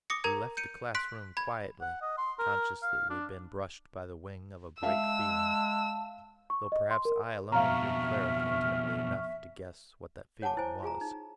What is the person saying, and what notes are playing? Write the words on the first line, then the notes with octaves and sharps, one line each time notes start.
We left the classroom quietly, conscious that we had been brushed by the wing of a great feeling, though perhaps I alone knew Cleric intimately enough to guess what that feeling was.
D6 D#6 A#6 C#7
A#4 A#5 G#6
G6 C#7 D#7
C6 F#6 B6 D7
B5 G#6
F#5
D#5
C6
A#4
F5
D4
G#3 E5 F5 A5 E6
C#6
D#5
C6
A#4
F2 B2 E5 F5 A#5 C#6 F6
C#5 F#5 G#5 A5 D6
E4 C5 G#5
F4 G#4 G#5 A#5
D#4